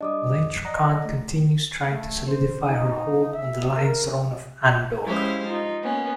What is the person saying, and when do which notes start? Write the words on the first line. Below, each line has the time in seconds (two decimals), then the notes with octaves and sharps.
Elayne Trakand continues trying to solidify her hold on the Lion Throne of Andor.
0.01 G3 D4 D#5 D6 D#6
0.38 F2 G#2
0.65 D5 D#5 F#5 A#5 A#6
1.05 A3
1.91 A3
2.27 C5
2.69 D#4
3.33 E5
3.77 A#4
5.05 G#3 C#4 E4 G4 C5 F5
5.47 D#4 F4
5.82 A#3 B3 C#4